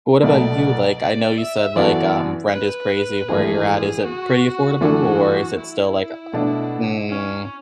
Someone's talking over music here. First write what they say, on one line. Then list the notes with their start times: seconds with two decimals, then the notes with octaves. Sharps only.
What about you? Like, I know you said, like, um, rent is crazy where you're at, is it pretty affordable, or is it still, like, u uh mm.
0.23 B1 B2 A3 D5
1.00 D5
1.38 E5
1.76 F#2 E3 B3 F#4 A4 D5
2.53 B4
3.28 G#1 F#2 E3 A3 G#4
4.05 F#4
4.81 F#2 E3 A3 D4 F#4
5.57 E4
6.33 B2 A3 D4
7.10 C#4